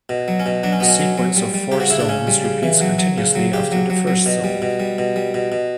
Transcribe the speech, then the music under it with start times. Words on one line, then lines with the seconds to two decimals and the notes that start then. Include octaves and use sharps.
A sequence of four zones repeats continuously after the first zone.
0.09 B2
0.28 F#3
0.40 C#4
0.46 B2
0.63 F#3 D4
0.73 C#4
0.80 B2 B3
0.89 C#4
0.99 F#3
1.17 F#3
1.37 G3
1.54 G3
1.72 C#3 G4
1.80 F#4
1.90 C#3 E4
2.00 D4
2.09 C#3 C#4
2.27 G3
2.44 C#3
2.63 E3
2.81 F#3
2.98 F#3
3.18 C#3
3.35 F#3
3.53 C#3 G4
3.72 F#3
3.90 F#3
4.07 F#3
4.26 B2
4.44 G3
4.62 B2
4.80 G3
4.98 B2
5.16 G3
5.34 B2
5.52 B2